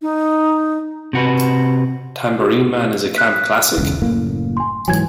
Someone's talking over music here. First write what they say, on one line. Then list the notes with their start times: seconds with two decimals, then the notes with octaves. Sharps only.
Tambourine Man' is a camp classic?
0.02 D#4
1.13 C3 F#4 B4
2.40 F#4 G4
3.16 F#6 B6
3.78 E1 C#2
4.02 F#1 A2 A#3
4.57 G#5 C6
4.88 G#2 E3 F#3 G#5 G#6